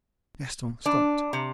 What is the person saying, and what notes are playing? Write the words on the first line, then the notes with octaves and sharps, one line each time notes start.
Gaston stopped.
D4
C3